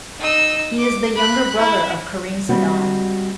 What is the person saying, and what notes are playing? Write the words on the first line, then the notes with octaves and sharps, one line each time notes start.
He is the younger brother of Karim Saddam.
D#4 E6
D6
B5 F#6
E4
G3 G#3 C4 F#4